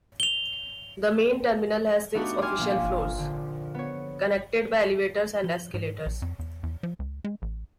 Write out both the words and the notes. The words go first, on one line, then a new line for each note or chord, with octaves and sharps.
The main terminal has six official floors, connected by elevators and escalators.
F7 G7
A3 B3 D4 D#4 F#4 G4
G5 G#5 C6 D6 F6 G#6
A#1 A#3
D3
B3 C#5
F3
G#2
A#1
F2
E2
E2
F3
C#2
G#3
A1